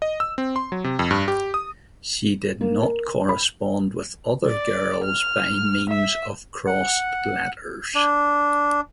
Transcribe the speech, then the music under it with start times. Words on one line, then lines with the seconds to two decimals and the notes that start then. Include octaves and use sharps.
She did not correspond with other girls by means of crossed letters.
0.02 D#5
0.20 E6
0.38 C4
0.56 C6
0.72 F#3
0.84 C3
0.99 F2
1.11 G2
1.28 G4
1.54 D#6
2.61 A#3
2.83 A#4
3.29 B5
4.47 D5
5.04 F6
5.89 E5
6.67 F#5
7.95 D4